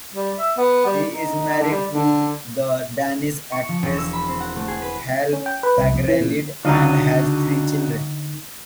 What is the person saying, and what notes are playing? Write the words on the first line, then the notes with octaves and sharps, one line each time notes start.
He is married to the Danish actress, Helle Fagralid, and has three children.
G3
E5
B3
G3
D#4
D3
G3
D3
C#6
F3
E1
E6
B5
C4
F#5
A3
G#4
B4
C#4
G5
B4
C2
F2
E3
A#2
C#2 D3 F#3 D4 D#4 F#4 D#5 F5